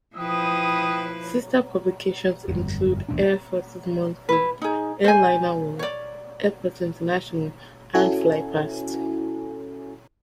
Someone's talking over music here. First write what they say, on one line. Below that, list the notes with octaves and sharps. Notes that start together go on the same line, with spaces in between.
Sister publications include "Air Forces Monthly", "Airliner World", "Airports International" and "FlyPast".
F3 E4 B4 G5 D#6
G1 F2
E1 A#1 E2 D4
E4 B4
D#4 G#4
C5 G#5
C#5 D5
C#4 E4 F#4 A4 G#5